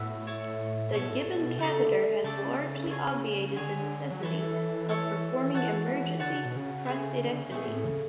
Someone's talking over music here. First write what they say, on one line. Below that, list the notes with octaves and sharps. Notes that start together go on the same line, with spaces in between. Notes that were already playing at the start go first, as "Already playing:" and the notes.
The Gibbon catheter has largely obviated the necessity of performing emergency prostatectomy.
Already playing: A2 B3 F#4 B4 E5
E4 A4 C#5
B2 E4 A4 C#5
G#2
A2
A2
B2
C#3 A3 D4 A4 D5
D3
C#3 A3 D4 A4 D5
G#4 C#5 G#5
D3 G#4 C#5 G#5
F#3
E3 E4 A4 C#5
E4 A4 C#5
E3 F#4 C#5 F#5 A5
D3 F#4 C#5 F#5 A5
C#3
B2
C#3
A3 E4 G#4
D3
C#3
B2 A3 E4 G#4
A2
C#3